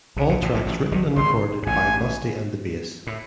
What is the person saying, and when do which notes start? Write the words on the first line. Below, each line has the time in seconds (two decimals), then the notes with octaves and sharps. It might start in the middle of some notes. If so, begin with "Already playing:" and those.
All tracks written and recorded by Busty and the Bass.
0.16 C2 C3
0.29 A#1 A#2
0.42 A1 A2
0.54 A#1 A#2
0.66 A1 A2
0.91 G1 G2
1.16 G#1 G#2 C6
1.63 G#2
1.66 A1 A2 G#5
3.07 A2